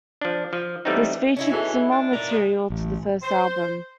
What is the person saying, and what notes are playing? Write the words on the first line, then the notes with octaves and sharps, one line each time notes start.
This featured similar material to the first album.
F3 D4
F3
E3 G3 A3 B3 C4 D#4
C#4 D#4 E4
E3 F#4 G#4 A4
E5
D4
A#4 D5
G#3
A1
C5